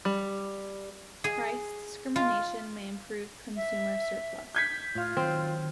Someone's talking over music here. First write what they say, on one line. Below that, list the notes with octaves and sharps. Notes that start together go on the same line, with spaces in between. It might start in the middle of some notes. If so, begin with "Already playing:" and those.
Price discrimination may improve consumer surplus.
G3
G#4
F4
E5
G6 G#6 B6
A2 F4 F5
D#3 F#3 C4